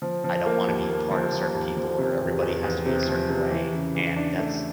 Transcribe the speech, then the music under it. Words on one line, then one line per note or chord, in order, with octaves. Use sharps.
I don't wanna be part of certain people or everybody has to be a certain way, and that's
F3
F3
A#3
D#2
A#3
F3
F3
D#2
F3
C3
E2
E2
E2
C3
F3
C3
E3
C#3
E3
D4
A3